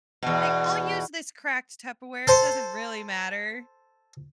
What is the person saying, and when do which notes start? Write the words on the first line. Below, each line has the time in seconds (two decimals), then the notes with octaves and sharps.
Like, “I'll use this cracked Tupperware. It doesn't really matter.”
0.23 E2 B2
2.27 A4 C5